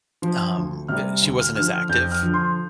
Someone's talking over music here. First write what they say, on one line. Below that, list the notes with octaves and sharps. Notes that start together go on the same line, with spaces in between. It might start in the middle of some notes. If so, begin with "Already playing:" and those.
um, e She wasn't as active,
F3
D2
C3 G3 F6
D2
F6
D3 F3 F6
F6
F2 G6
F6
D3 F3
C6